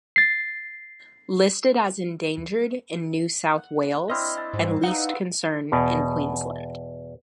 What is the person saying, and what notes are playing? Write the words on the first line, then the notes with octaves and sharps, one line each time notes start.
Listed as endangered in New South Wales and least concern in Queensland.
A6 C7
F#5
C4 D4 E4 D#5 D#6 F6
A5
G#2 G3 C5
D#4 B4 F5 F#5 D#6 E6
E2 B2